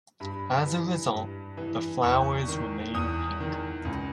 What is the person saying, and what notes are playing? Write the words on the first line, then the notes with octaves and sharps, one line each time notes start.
As a result, the flowers remain pink.
G2 B5
E3
G2
E3
E2 C#6
D#3
E2 D#6
D#3
C#2